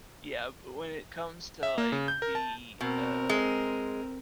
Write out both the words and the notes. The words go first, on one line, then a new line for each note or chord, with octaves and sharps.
Yeah, but when it comes to, like, the, uh,
E5
A#3
C#3
G6
A#4
A5
B2 C4 A#4
G#3